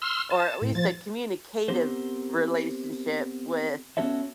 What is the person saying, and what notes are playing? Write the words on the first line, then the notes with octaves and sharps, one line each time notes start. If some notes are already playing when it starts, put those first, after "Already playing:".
or at least a communicative relationship with
C6 E6 F6
A5
A2
F3 A6
B3 C4 G4 A#4 C5
B3 C#4 F#4 A4 C#5 E5